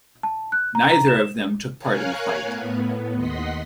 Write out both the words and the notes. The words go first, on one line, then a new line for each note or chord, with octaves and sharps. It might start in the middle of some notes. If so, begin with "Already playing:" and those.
Neither of them took part in the fight.
A5
F#6
A#5
A#5
E7
A#4 C#5 F5 G#5 F#6 G#6
A2 B3
D#2 D#5 F#5 C6 B6